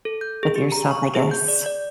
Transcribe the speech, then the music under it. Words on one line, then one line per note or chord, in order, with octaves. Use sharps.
with yourself, I guess.
A4
G6
G#4
G4
A#5
C#6
G#4
G6
D5
D5